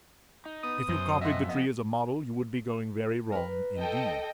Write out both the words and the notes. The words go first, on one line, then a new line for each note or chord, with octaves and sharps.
If you copied the tree as a model, you would be going very wrong indeed.
D#4
B3 D#6
F#2 C5
F2 D#5 E5 F#5 C6
B3 D#5
A#4 B4
A4 D#5 G5